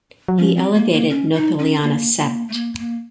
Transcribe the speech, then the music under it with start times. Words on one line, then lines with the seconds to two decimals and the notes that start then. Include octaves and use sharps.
He elevated "Notholaena" sect.
0.28 F#3
0.38 F3 C#4
0.56 C4
0.74 A#3
0.93 A#3
1.10 C#4
1.34 D#4
1.59 C#4
1.82 A#3
2.18 A#3
2.49 A3
2.54 A#3
2.79 A#3